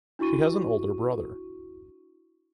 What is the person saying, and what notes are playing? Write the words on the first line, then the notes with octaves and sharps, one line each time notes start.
She has an older brother.
D4 E4 F#4 C#6 D#7